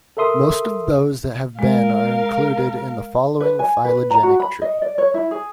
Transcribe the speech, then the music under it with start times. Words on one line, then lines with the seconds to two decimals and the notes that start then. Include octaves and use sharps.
Most of those that have been are included in the following phylogenetic tree.
0.17 A4 A#4 E5 C6 D#6
1.59 G#3 A#4 F5
3.40 B4
3.59 G#5
3.85 B4
4.11 A#5
4.23 F#4
4.40 B5
4.62 D#5
4.82 D5
4.98 C#5
5.14 E4
5.31 G#4